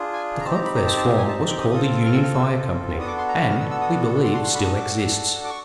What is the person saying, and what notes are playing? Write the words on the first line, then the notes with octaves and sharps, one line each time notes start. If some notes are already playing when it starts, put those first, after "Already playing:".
The club first formed was called the UNION FIRE COMPANY, and, we believe, still exists.
Already playing: D4 F4 G#4
G#5
A#5
C4 D#4 G4 A5
A#5
B5
A#5
A5
A5
G#5
A5
A5
D6
D#6
C4 F4 A4 D#6
F6
E6
F6
E6
B3 D4 F#4 A4 D#6
D6
C6
A#5
B5
F6
D#6
E6
E6
D#6
D4 F#4 A4 C6
C6
C6
B5
D#6
D6
D6
C#6